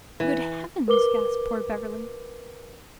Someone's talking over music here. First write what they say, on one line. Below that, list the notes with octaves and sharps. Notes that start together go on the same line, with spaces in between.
"Good heavens!" gasped poor Beverly.
E3
A#4 B4 D6 G7